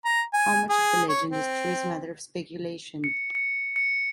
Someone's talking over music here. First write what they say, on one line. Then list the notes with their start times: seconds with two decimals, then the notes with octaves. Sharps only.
How much of the legend is true is a matter of speculation.
0.05 A#5
0.33 G#5
0.70 G#4
1.09 C#5
1.30 C4
3.04 C#7
3.35 C#7
3.76 C#7